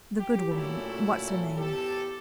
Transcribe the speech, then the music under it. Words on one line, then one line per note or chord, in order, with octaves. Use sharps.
The good woman--what's her name?
G4
A#2 F#3 A3 C#4 E4 A4
E2 G4 A4